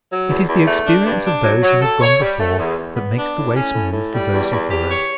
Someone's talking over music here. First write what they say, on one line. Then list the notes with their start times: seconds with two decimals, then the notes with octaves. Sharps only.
It is the experience of those who have gone before that makes the way smooth for those who follow.
0.09 F#3
0.28 E2
0.48 E2
0.66 A3
0.86 D4
1.05 G2
1.24 D4
1.43 F#3
1.62 F#3
1.82 A4
2.00 C#5
2.21 G3
2.39 A3
2.58 E2
2.78 E2
2.96 B3
3.16 D4
3.35 A2
3.54 C#4
3.74 A2
3.93 A2
4.11 G3
4.31 E2
4.50 E2
4.70 G4
4.89 C#5